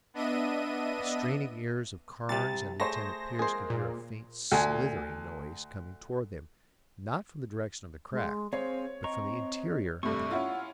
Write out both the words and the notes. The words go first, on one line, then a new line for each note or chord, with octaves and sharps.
The straining ears of Carnes and Lieutenant Pearce could hear a faint slithering noise coming toward them, not from the direction of the crack, but from the interior of the cave.
B3 D4 D#5 E5 D#7
C2 C3 A6
A3 G#4 C5 A#6
G#3 A#3 G#4 C5
A#2
D2 G#5
G#3
C4 G#4 C5 C#5 F5
C4 D#5 A#5 C#6
G2 C3 A3 C#6
C#4 E4 F4 F#5